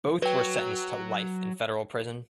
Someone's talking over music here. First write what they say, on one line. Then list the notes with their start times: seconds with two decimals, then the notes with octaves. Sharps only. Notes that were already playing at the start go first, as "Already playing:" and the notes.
Both were sentenced to life in federal prison.
0.22 F#3 B4 G5